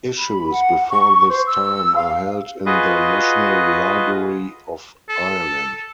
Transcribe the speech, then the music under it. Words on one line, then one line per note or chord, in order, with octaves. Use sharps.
Issues before this time are held in the National Library of Ireland.
B5
F#5
C#6
C5
E6
F5
F4 F#4 G#4 B4 D#5
A4